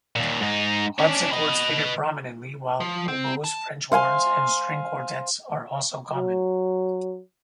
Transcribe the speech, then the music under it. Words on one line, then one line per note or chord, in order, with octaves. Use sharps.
Harpsichords figure prominently, while oboes, French horns, and string quartets are also common.
D#2 A#2
G#2 D#4
C#4 D4
B4 D#5
F3
C4
A5
C5 F5 G#5 C6
F#3